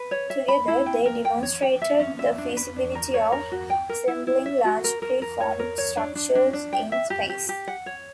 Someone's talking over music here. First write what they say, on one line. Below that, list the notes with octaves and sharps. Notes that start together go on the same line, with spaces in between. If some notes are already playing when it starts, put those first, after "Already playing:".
Together, they demonstrated the feasibility of assembling large pre-formed structures in space.
Already playing: B4
C#5
E5
B5
E4
G5
A#4
G5
C#5
G5
E5
C#4
E5
D4
B4
D4
A#4
C#5
A#4
F#4
G5
A#4
E4
E4
E5
F#4
A#4
A#4
A#4
C#5
A#4
C#5
D4
D4
D4
D4
G5
E5
G4
G4
G4
F#5
C#5